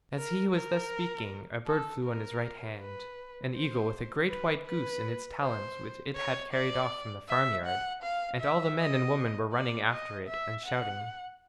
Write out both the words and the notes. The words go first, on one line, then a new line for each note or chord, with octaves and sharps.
As he was thus speaking a bird flew on his right hand--an eagle with a great white goose in its talons which it had carried off from the farm yard--and all the men and women were running after it and shouting.
A#4
A#4
A4
A#4
B4
C5
B4
B4
C5
C#5
D5
E5
F#5
F5
E5
D#5
D5
D#5
E5
F#5